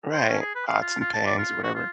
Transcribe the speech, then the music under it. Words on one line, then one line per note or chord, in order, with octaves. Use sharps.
Right, pots and pans or whatever.
C5
C#4
G#4
B4
F5
F4
F4
A5
D5
F4
F#4
F4